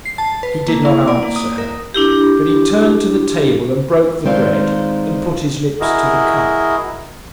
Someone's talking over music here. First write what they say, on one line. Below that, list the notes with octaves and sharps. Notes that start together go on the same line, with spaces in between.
He did not answer her, but he turned to the table and broke the bread, and put his lips to the cup.
C7
A5
B4
A#3
E4
D5
A#3
D#6
A#4
D4 E4 G4
D#3 G#3 C4 D4 D#4 F4
E4 F#4 G#4 A#4 D#5